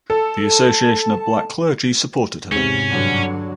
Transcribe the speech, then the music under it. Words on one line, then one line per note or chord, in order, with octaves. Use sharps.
The Association of Black Clergy supported her.
A4 A5
E2 G#2 C3 C#4
G2 D3 F#3